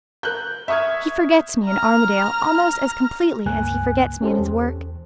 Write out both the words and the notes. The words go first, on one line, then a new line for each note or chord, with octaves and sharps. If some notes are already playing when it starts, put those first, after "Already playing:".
He forgets me in Armadale almost as completely as he forgets me in his work.
A#4 F#6 G6
E5 C#6 D#6 F6 G#6
A#5 F6
C#2 G2 A#3 G#5 F#6
C#4 G4 A4 C5
E2